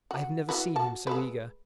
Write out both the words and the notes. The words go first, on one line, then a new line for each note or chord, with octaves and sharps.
I have never seen him so eager.
F#4
E3 F#4 B4
F#4 A5
G#3 A4 B4